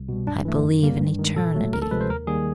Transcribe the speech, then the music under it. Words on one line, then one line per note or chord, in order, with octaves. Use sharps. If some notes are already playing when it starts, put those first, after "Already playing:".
I believe in Eternity.
Already playing: C2
B2 G3
G2 D4
E3 A3
F#2
D3 G3 A#3
G2
D#3 G#3
A#2 A4
F#3 A3
D2 A#4
A4
C3 F3 G#3 B4
C5
D#2 A#4
D#3 G3 A#3 G#4